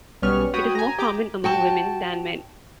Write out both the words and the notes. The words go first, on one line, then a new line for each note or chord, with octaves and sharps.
It is more common among women than men.
B1 G3 B3 C#4 C#6 F6
F#4 C#5 G5 B5 D#6
G#5 A#5
G4 A#5 D6 D#6
F#4 G5 A5